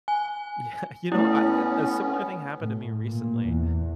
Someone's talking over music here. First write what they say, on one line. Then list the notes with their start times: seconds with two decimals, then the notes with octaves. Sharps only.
Yeah. You know, I a similar thing happened to me recently,
0.08 G#5
1.12 A2 A3 B3 C#4 E4
2.61 A2
3.03 A#2
3.49 E2